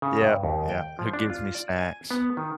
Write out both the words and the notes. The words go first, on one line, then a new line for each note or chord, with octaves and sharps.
Yep. Yep. "Who gives me snacks,"
C#3
G2
D#2
G5
F3
D4
F4
D5
G#5
B3
D#3